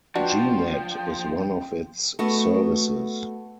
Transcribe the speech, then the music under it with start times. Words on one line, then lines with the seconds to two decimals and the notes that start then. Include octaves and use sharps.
G-Net is one of its services.
0.15 F3 D4 F#4 B4 G5
2.19 A3 B3 F#4